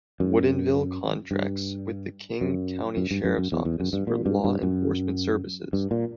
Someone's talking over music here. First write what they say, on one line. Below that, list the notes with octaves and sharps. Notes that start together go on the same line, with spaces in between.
Woodinville contracts with the King County Sheriff's Office for law enforcement services.
F#2
G2
F#2
F#2
G2
F#2
F#2
E2
E2
F#2
G2
A#2
G2
G2
F#2
G2
A#2